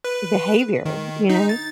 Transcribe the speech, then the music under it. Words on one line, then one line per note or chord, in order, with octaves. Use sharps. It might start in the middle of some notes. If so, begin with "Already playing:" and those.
behavior, you know?
B4
D#3
D#4
A6